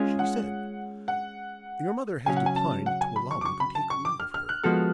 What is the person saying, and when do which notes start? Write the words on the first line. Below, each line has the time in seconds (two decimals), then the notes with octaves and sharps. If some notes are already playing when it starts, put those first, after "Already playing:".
She said, 'Your mother has declined to allow me to take leave of her.
Already playing: G#3 C#4 F4 G#4
0.19 F#5
1.08 F#5
2.26 C#3 F#3 C#4 G#5
2.37 F#5
2.46 G#5
2.56 A5
2.86 F#5
3.01 G#5
3.16 B5
3.31 C#6
3.41 D6
3.45 C#6
3.60 B5
3.75 A5
3.90 C#6
4.05 D6
4.20 F6
4.34 F6
4.49 F#6
4.64 F3 G#3 B3 F#4 A4 F6